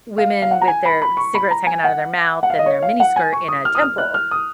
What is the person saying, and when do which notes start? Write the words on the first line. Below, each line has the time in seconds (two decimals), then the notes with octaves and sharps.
Women with their cigarettes hanging out of their mouth and their miniskirt in a temple
0.18 F5
0.42 F5
0.51 F#5
0.61 A#5
0.68 G#5
0.85 B5
1.02 B5
1.17 C#6
1.34 B5
1.51 A#5
1.67 G#5
1.84 F#5
2.43 F#5
2.50 F5
2.59 D#5
2.66 C#5
2.82 F5
3.00 F#5
3.16 G#5
3.33 C#6
3.48 D#6
3.65 F6
3.75 D#6
3.82 F6
3.98 F#6
4.14 F6
4.31 D#6